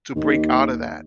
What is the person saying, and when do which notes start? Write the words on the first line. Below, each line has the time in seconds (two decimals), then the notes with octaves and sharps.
to break outta that,
0.15 D#2